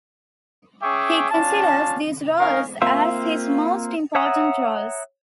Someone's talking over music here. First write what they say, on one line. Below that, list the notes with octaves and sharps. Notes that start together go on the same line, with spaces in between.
He considers these roles as his most important roles.
C#4 G#4 E5 G5 C#6 D6
C#4 D4 F4 A5
C#4 D#4 A#4 F5
A#3 C4 F4 E5
C#5 E5 F#5 A#5 D#6